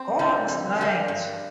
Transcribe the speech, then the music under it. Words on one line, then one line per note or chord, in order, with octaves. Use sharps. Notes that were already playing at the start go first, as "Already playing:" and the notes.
God is Light.
Already playing: C4
D3 G3 A#3
F2
D3 G3 A#3
G2